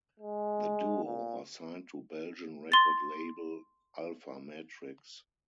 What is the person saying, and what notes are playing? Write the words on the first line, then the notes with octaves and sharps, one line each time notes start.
The duo are signed to Belgian record label Alfa Matrix.
G#3
A#2
C6 A6